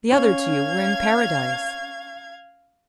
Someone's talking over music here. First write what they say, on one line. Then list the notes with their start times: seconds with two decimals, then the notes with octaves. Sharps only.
The other two were in Paradise.
0.11 C#4 F5 G#6